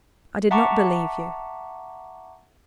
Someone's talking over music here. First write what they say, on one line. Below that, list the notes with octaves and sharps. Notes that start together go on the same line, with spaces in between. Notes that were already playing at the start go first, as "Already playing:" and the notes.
I did not believe you.
E5 F#5 A5 A#5 C#6 D6